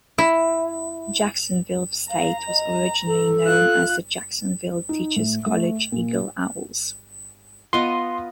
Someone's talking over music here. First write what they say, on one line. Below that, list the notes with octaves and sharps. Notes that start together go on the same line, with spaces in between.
Jacksonville State was originally known as the Jacksonville Teachers College Eagle Owls.
E4
F5 A#5
D#5
A4
F4 F#6
D#4
A2
A3
A#2
B3 F4 D#5 C6